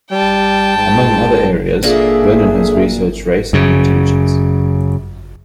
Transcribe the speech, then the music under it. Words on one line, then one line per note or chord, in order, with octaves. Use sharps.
Among other areas, Vernon has researched race and intelligence.
G3 G5 A5
G#2
A#2 A#3 D4 G#4 A4 E5
F#2 C#3